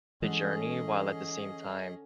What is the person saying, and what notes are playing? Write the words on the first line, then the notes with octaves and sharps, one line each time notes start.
the journey while at the same time,
D3 E3 G#3 C#4 G#4 D#5